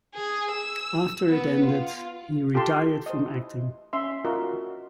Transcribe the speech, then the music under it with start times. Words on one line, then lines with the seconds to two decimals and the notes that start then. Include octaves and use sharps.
After it ended he retired from acting.
0.15 G#4
0.51 E6
1.28 B3
1.66 F4
2.54 F4 G4 A4 A5 C6
3.06 C5 D#5
3.28 E4
3.93 C#4 E5 C6
4.25 F4 F#4 A#4 D#5